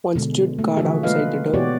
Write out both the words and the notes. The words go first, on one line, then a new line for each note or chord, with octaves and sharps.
One stood guard outside the door.
B2 D3 G#3
A3
D3 E3 F3 F#4 G#4 E5
G#3 A#3 F4 B4 D#5 F5
B2 B3 F#4 G4 C#5 D5